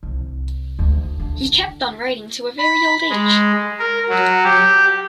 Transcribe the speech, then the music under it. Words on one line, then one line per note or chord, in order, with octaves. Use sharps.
He kept on writing to a very old age.
C2
D2
D3
B5
G#3
A#4
F#3
G4